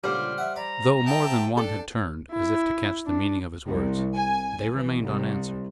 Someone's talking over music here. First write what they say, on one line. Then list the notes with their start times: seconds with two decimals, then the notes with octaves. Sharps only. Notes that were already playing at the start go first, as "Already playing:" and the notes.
Though more than one had turned, as if to catch the meaning of his words, they remained unanswered.
0.04 C#2 A#2 D3 G3 C5 F6
0.38 E5 F#5
0.56 D5 A#5 B5
1.06 B3 E5 G5 A5
1.57 D4 A4 G5
2.32 E4
3.06 D4
3.68 C2
4.15 G#5
4.74 E3
5.03 C2